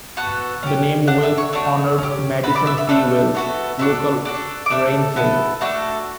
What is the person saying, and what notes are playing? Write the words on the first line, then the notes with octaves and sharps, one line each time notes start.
The name Wells honored Madison P. Wells, local rancher.
B3 F#4 A4 F#5 F#6
C#4 G4
D4 A4 F#5 F#6
E5 E6
C#5 C#6
A3 D4 F#4 C#5 C#6
C#4 G4
B3 F#4 A4 B4 B5
D5 D6
E5 E6
E5 E6
A3 D4 A4 E5 E6
B3 F#4 A4
D4 F#4 A4 E5 E6
D4 F#4 A4
D6
A3 D4 A4 E5 E6
B3 E4 A4
A3 D4 F#4 A4 F#5